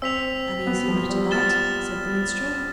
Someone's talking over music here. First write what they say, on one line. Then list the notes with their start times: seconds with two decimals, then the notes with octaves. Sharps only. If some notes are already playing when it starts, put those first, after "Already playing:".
"An easy matter that," said the minstrel.
0.02 C4 E6 B6 F7
0.67 B3
0.88 F3
1.09 G3
1.31 F6 A6 E7 G7